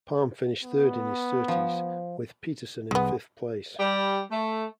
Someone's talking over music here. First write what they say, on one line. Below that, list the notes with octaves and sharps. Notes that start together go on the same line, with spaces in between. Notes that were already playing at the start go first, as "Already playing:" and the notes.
Palm finished third in his Surtees, with Peterson in fifth place.
B3
F3
C2 G#3 B3
G3
A3